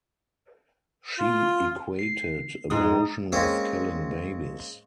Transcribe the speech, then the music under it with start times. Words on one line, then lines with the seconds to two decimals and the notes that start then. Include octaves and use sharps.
She equated abortion with killing babies.
1.19 F4
1.99 C7
2.70 F2 G#2 G#3 D#4 D#6
3.32 G#3 A#3 C4 C#4 G#4